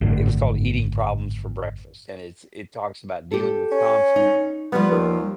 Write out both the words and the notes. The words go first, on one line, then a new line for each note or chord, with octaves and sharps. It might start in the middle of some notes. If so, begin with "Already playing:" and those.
it was called Eating Problems For Breakfast and it's it talks about dealing with confli
G#1 F#2 A2 D3
G4 A4
C#4
D#4
F3 G3 A#3 B3
D#2